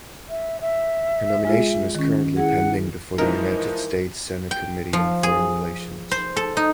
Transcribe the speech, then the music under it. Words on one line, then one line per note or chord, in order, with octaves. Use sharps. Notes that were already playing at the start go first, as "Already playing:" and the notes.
Her nomination is currently pending before the United States Senate Committee on Foreign Relations.
E5
E5
G#3 F4 G#4
D#3 C#4
E4 G#4 F#5
E3 F3 G#3 D#4 A#4
G5
F3
G#4
C5
A4
D#4